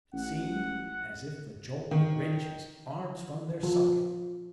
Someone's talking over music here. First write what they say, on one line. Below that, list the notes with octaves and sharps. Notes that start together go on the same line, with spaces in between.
It seemed as if the jolt would wrench his arms from their sockets.
A1 F#5
D#3
F3